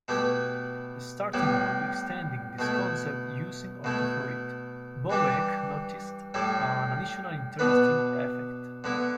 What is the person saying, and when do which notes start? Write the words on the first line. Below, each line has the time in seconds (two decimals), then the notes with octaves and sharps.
Starting work extending this concept using orthoferrite, Bobeck noticed an additional interesting effect.
0.08 B2 A3 E4 G4 B4
1.33 A2 G3 B3 E4
2.59 B2 A3 E4
3.84 B2 A3 E4
5.10 G2 E3 G3 D4 G4
6.34 A2 G3 E4 A4
7.59 B2 B3 D4 B4
8.84 D3 B3 E4